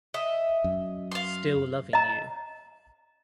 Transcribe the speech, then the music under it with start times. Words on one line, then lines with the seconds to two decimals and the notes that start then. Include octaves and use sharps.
Still loving you.
0.14 D#5 E5
0.64 F#2
1.11 F5 C6
1.93 D#5 A#5